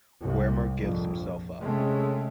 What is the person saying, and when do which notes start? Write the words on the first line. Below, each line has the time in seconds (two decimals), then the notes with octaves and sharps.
Wermeer gives himself up.
0.21 C2 G#2
0.80 A#1 F2 G#2
1.60 C3 G#3 A3 C#4